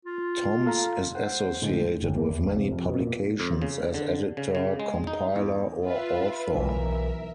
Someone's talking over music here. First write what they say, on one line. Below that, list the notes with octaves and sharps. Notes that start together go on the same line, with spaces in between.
Thoms is associated with many publications, as editor, compiler or author.
F4
A4 F5 A#5
C5 F#5
A2 D3 G#3
G1
A#3
E2
G#1
C3
F2
B2
A#2
F2
C#3
D3
C#3
C#3
G#3
D#4
E2
F4 B4 E5
B1 E3 A#4 E5